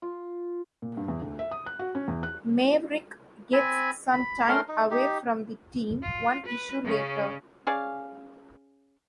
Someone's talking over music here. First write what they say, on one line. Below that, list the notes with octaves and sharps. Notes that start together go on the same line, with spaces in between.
Maverick gets some time away from the team one issue later.
F4
A#2
G2
E2
D2
E5
D#6
F#6
F#4
C#4
E2
F#6
C4 G#5 B5
B5
A3 C#4 A#4 C6
D#4
D#4 G4
F4
B4
C#3 C#4
C#4 G#4 D5 F5